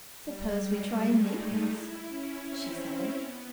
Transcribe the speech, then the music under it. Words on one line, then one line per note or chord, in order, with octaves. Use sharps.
"Suppose we try Naples?" she said.
G3
G#3
A3
D#4
E4
C#4
C4
C4
B3